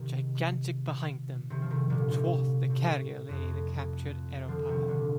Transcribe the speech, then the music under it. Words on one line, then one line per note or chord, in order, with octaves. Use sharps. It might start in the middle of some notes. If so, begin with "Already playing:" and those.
Gigantic behind them, athwart the carrier lay the captured aeropile.
Already playing: C3 D#3
C3 D#3
F3
C3 D#3
A#2 D3
A2 C3
A2 C3
F2 A2
D3 F3
C3 D#3
A#2 D3